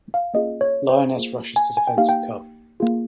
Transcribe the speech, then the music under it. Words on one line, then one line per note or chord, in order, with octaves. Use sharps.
Lioness Rushes to Defense of Cub.
F5
A#3 C#4 F4 G#4 D#5
C#5
C5
A#3 F4 G#4
G#5
G#5
G5
A#3 D#4 G4 F5
G5
A#3 F4 G#4